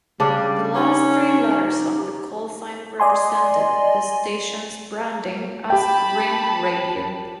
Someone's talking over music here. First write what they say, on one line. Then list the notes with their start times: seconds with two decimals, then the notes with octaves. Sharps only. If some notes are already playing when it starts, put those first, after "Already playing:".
The last three letters of the callsign represented the station's branding as "Ring Radio".
0.20 C#3 G3 D4
0.75 C#4 D#4 G4
3.00 D5 D#5 G#5 C6
5.70 G4 G5 A5 B5